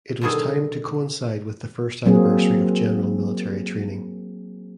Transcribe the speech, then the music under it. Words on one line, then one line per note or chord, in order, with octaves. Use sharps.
It was timed to coincide with the first anniversary of general military training.
B2 D3 D#3 G3 G#4 A4
F#3 A#3 C4 G#4